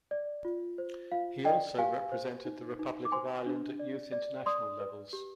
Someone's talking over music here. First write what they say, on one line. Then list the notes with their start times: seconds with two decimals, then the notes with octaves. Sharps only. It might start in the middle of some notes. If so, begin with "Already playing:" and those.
He also represented the Republic of Ireland at youth international levels.
0.11 D5
0.45 F4
0.78 C5
1.12 F4 F5
1.45 D5 D#5 G5
1.78 G4 F5 G#5
2.12 C5
2.45 D#4
2.79 D#4
3.05 D6
3.12 C5 G#5 C6
3.46 D4
3.79 D5
4.12 D5
4.46 D5 C6 D#6
4.80 B4
5.13 G4